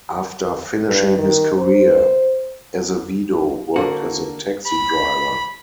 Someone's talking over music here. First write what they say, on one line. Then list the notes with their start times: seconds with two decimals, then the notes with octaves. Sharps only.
After finishing his career, Azevedo worked as a taxi driver.
0.86 G2
1.18 D#3
1.59 C5
3.76 D3 A#3 F#4
4.67 B5